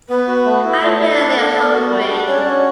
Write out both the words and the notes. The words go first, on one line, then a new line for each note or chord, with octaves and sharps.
I'm feeling a little hungry.
B3 B4
F#4
A3
E4
A3 D5
C#5
E4 D5
D4
A4
B3
F#4
G3
D4
C#4 C#5
D5
F#4 C#5